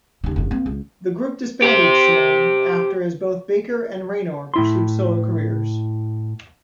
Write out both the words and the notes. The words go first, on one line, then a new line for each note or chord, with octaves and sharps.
The group disbanded soon after as both Baker and Rayner pursued solo careers.
D#2 C#3
F#1 F2
A#3 C4
C#2
G4 C5
A2 E4 C6